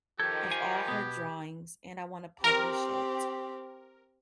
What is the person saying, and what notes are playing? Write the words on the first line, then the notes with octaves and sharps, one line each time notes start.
of all her drawings, and I wanna publish it
D#3 F3 G4 A4 G#6
F5 G#5
B2 B3
C4 G4 A#4